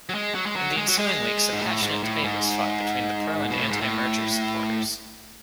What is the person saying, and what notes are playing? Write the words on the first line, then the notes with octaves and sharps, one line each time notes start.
In the ensuing weeks, a passionate debate was fought between pro and anti-merger supporters.
F#3
G#3
F#3
G#3
F#3
G#3
F#3
G#3
G#2
A2
G#2
A2
G#2
B2
A2
G#2
A2